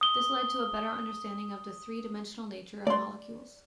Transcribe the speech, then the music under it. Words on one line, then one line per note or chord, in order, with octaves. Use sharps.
This led to a better understanding of the three-dimensional nature of molecules.
D#6 G7
A3 D5 C6